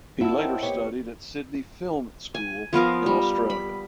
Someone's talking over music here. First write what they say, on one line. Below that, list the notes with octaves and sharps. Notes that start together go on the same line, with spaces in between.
He later studied at Sydney Film School in Australia.
E4 F#5 A5 E6
C4 A#4 C#5 D#5 G5
A#3 B3 G4 C#5 C#7
G#5
F3 B3 A#4 F5
G3
B5